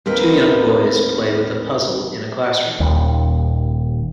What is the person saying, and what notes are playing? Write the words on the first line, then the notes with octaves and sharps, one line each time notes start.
Two young boys play with a puzzle in a classroom.
D#2 C4 A#4 B4 D#5
D#1 D#2